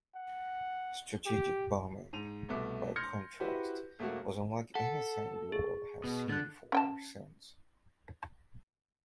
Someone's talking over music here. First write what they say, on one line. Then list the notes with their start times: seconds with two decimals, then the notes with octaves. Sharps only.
Strategic bombing, by contrast, was unlike anything the world has seen before or since.
0.15 F#5
1.26 G4
2.13 G#2 D#7 F7
2.49 C2 B2 A3 D6
2.96 C6 F6 G6 G#6 A#6 C#7
3.40 E4 F#4 G4 B4 C5
3.99 E1 A3 A#3 F#4
4.75 A4 F#5
5.52 G#4
6.04 B2
6.30 D3 F#6 A6
6.72 C#4 G5 A5